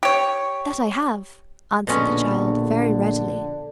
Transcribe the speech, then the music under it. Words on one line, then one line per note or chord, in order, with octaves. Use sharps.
"That I have," answered the child, very readily.
G4 C#5
A#1 B2 D3 G#3 C#4